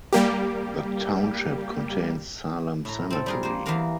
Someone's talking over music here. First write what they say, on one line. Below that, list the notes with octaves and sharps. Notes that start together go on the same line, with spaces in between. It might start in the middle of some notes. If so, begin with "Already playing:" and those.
The township contains Salem Cemetery.
G3 A#3 G4
A2 A#5
C4 A4
G3 G#4 A#4
A#3 C5
E2 E3 A#3 B3 A#4 F5